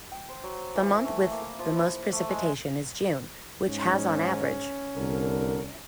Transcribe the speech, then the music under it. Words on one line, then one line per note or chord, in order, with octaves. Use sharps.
The month with the most precipitation is June, which has on average.
G5
C5
F#3
E3
A3
A#3
F3
E4
A3
G#3
G#2 C#4
C2 D3 A#4